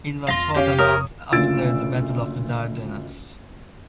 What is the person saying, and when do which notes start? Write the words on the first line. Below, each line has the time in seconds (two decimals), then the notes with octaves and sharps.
It was fought a month after the Battle of the Dardanelles.
0.28 F2 F5 C6 A#6
0.56 C#4 G4 F5
0.78 A#4 C#5 D#6
1.32 F#1 D2 F4 E6 A6 D7